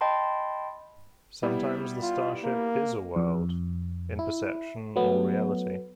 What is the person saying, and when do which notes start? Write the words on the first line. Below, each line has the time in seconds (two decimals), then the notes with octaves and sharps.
Sometimes the starship "is" a world, in perception or reality.
0.01 D#5 G5 A5 B5 C6
1.43 G3 B3 E4
2.02 F4
2.43 A#3
3.16 F2
4.19 E4
4.96 F#3 A3 B3